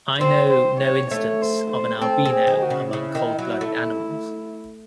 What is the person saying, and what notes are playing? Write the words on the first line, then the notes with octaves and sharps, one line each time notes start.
I know no instance of an albino among cold-blooded animals.
C4 C5
C5
C#5
A3 C#5
C5
C5
C4 A4
C4
G#4
D#3
F#4
C#3
C#3 E4
D#3
F#3
A3